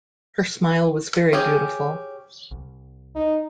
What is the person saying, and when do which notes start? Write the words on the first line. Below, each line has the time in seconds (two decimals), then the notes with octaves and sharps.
Her smile was very beautiful.
1.33 C#4 G4 G#4
2.51 C2
3.16 D#4